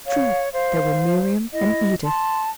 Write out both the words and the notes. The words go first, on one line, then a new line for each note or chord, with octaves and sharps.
True, there were Miriam and Edith!
C#5 F5
C5 F5
E4 D#5
A5 C6